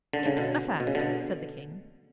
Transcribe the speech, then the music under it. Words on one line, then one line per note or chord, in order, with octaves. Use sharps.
"It's a fact," said the King.
D3
C#3
B2 D3
B2
C#3
B2 D3